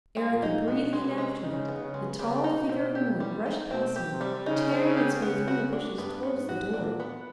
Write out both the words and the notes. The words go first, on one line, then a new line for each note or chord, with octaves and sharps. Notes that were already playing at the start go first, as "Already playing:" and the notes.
Ere I could breathe again after it, the tall figure of a woman rushed past me, tearing its way through the bushes towards the door.
G#3
A#2
D#4
B2 B3
G#3
C3
G#3
C#3 D#4
B3
C#3
G#3
C#3 G3
D#4
B2
C4
G4
G3
D#4
B2 C4
G4
C3
G3
C#3 D#4
C4
C#3
G4
C#3 B3
F#4
D4
G2 B3
B3
G#2
F#4
A#2 D4
B3